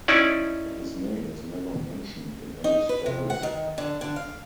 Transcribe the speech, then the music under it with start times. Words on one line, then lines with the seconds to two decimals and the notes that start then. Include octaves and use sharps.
His name is never mentioned in any story.
0.08 C#4 D#4 E4 D5
2.64 D#4
2.89 B4
3.06 C3
3.30 F#5
3.43 D#3
3.78 D3
4.01 D3
4.16 F5